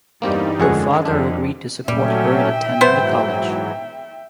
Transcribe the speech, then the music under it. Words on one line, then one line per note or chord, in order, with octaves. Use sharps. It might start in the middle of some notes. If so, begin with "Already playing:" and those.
Her father agreed to support her in attending the college.
E2 G2 G3 A#3 C4 D#4 G4
F2 D3 D#3 G#3 C#4 G#4 F#5
F2 D4
A#2 F#3 G3 A3 C#4 E5 G5
G#2 E3 F#3 B3 C5